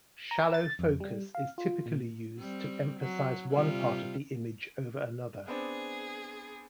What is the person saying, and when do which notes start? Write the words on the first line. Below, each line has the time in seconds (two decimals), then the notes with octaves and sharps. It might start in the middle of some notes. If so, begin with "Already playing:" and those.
Shallow focus is typically used to emphasize one part of the image over another.
0.31 A#5
0.54 A6
0.79 F2
1.00 G3
1.35 F5
1.58 F4
1.86 A#2
2.38 G3 C4
3.00 F#3
3.50 C3 G3 F4
5.48 B3 C4 D4 G#4